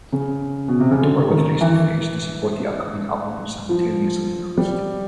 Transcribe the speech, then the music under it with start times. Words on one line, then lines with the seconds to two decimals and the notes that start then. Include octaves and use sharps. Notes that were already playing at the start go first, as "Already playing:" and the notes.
A tour with Face to Face to support the upcoming album was simultaneously announced.
0.12 C#3
0.68 B2
0.80 C3
0.91 C#3
1.02 D3
1.31 D#3
1.61 E3
3.69 F3
4.58 G3